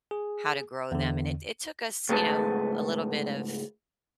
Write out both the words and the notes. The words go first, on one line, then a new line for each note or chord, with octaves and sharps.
how to grow them and it it took us, you know, a little bit of
G#4
E2 D3
C#2 G#2 A3 B4 A5